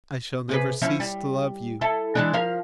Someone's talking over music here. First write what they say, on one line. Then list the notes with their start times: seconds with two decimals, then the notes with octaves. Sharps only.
I shall never cease to love you....
0.49 C3 G#4 B4
0.82 F3 C#4 E4
1.00 G3
1.81 E4 A4
2.15 E3 G#3 D4
2.33 F3 A#4 F5